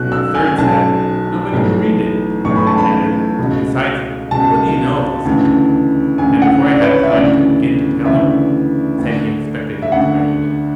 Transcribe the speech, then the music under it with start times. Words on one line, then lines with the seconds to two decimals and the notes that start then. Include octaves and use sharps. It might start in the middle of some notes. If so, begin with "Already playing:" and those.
The third said, "Nobody would read it," and added, "Besides, what do you know of the subject?" and before I had time to begin to tell him, said he expected it was very little.
Already playing: B1 B2 F#6
0.12 E6
0.34 G#5
0.47 G#5
0.58 B1 B2 A5
1.51 B1 A2 E3
2.45 B1 A2 E3 C#6
2.56 B5
2.67 A5
2.78 B5
3.39 C#2 B2
4.31 C#2 B2 A5
5.25 D2 C#3 E3
6.18 D2 C#3 E3 G#5
6.42 F#5
6.65 D5
6.82 B4
6.88 C#5
7.03 E5
7.12 D2 C#3 E3 D5
8.05 D2 C#3 E3 E5
8.98 D2 D3
9.82 E5
9.92 D2 D3 F#5